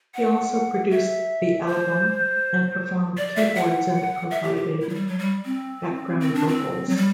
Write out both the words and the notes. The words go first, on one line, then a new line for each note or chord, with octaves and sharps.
He also produced the album and performed keyboards and provided background vocals.
F#5
E5
C5
D5
E5
F#5
E5
G4
G4
E4
F#3
G3
F#3
G3
C4
C4
D4
C4
F#3
G3